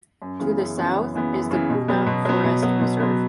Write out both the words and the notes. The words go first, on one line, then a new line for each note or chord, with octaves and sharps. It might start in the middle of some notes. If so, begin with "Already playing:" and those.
To the south is the Puna Forest Reserve.
F#2
C#3 E3 B3
F#2
C#3 E3 B3
F#2
C#3 E3 B3
F#2
C#3 E3 B3
B2
F#3 B3
B2
F#3 B3
B2
F#3 B3
B2
F#3 B3